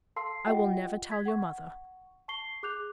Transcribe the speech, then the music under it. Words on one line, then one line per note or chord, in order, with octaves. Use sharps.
I will never tell your mother.
A4 F5 A5 C6 E6 C7
F4 G4 D#5 F#5 G5
G#6 B6
F#5 C#6
A5 C#6 C7 G7
G#4 D6 F#6 G6 F7